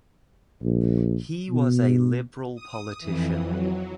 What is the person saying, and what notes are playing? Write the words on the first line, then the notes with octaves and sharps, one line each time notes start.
He was a Liberal politician.
A#1
B2
D#6
F2 E3
F#3